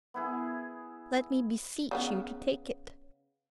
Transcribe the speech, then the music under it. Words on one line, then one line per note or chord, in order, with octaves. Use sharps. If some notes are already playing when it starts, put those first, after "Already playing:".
"Let me beseech you to take it."
B3 E4 G#4
C#3 F#3 B3